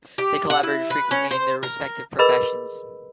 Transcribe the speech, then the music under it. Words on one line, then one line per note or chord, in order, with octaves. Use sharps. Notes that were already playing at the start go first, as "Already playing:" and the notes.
They collaborated frequently in their respective professions.
G4
F#5
E4
B4
C#4
C5
A#4
G#4 A#4 B4 D#5 B5 E6